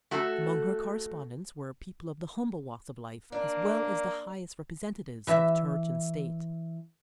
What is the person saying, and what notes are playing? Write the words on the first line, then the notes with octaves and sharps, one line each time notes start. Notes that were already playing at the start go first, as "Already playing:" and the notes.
Among her correspondents were people of the humble walks of life as well as the highest representatives of Church and State.
A3 F#4 A4
A#3 D4
E3 E5